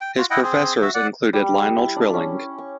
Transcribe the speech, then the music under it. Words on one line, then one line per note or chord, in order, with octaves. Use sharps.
His professors included Lionel Trilling.
G5
F4 F#4
E4 D#5 F#5 G5
C4 G#4
F#4 E5
D5 F#5
G3
E4
D4
C#4
C#6